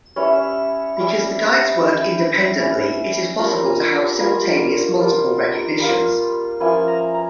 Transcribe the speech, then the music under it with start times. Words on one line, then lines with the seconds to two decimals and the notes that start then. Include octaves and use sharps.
Because the guides work independently, it is possible to have simultaneous multiple recognitions.
0.16 G3 C#4 E4 C#5
0.25 E5
0.33 C#5
0.97 G3 C#4 E4
1.78 G3 C#4 E4 G5
2.59 G3 C#4 E4
3.39 G3 A#3 F4 A#5
3.65 G#5
3.92 A#5
4.19 G3 A#3 F4 G#5
5.00 G3 A#3 F4
5.80 G3 A#3 F4
6.60 F3 A#3 C#4 E4 G#5
6.88 A#5
7.14 A#5